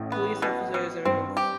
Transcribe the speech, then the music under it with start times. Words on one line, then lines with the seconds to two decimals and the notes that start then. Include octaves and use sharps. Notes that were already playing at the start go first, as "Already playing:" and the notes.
police officers and f,
Already playing: A1 A2
0.12 B3
0.42 B2
0.74 B2
1.05 G2 C4
1.37 G4